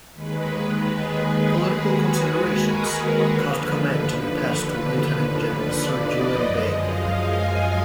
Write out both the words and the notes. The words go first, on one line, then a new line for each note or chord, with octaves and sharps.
Political considerations caused command to be passed to Lieutenant-General Sir Julian Byng.
D#2 D#3 G#3 B4
G#4
F#4
A#4
B4
D#2 D3 F3 B4
D5
D#5
F#2 F3 G#3 D#5
F5
G#5